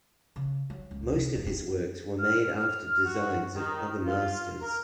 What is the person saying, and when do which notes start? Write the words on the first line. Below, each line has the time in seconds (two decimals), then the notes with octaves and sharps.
Most of his works were made after designs of other masters.
0.36 C#3
0.70 F#3
0.91 C#2
1.12 C3
1.35 D#1
1.46 C4
2.19 F6
3.04 F#4
3.54 D#3
4.05 F4
4.59 A#4